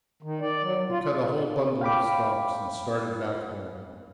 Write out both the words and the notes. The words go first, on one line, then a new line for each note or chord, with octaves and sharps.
He cut a whole bundle of stalks and started back home.
D#3
D5
F#3
F#3
F4
F5 G5 B5 D6